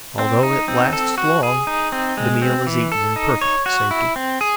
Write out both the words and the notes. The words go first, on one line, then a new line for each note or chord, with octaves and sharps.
Although it lasts long, the meal is eaten in perfect safety.
C4
D#4
C4
A4
F#4
G#4
D#4
C4
G#3
C4
E3
A4
D#4
C#5
F#4
E4
C4
G#4